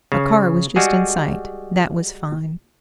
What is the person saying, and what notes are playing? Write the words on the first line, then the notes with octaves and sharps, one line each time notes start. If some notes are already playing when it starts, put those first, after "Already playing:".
A car was just in sight--that was fine!
C#3
G3 G#3 F#4 G#4